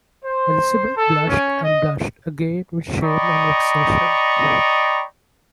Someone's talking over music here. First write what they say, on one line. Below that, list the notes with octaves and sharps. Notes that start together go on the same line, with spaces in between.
Elizabeth blushed and blushed again with shame and vexation.
C5
A4
C#4
D#5
D5 D#5 G5 A#5 B5 C#6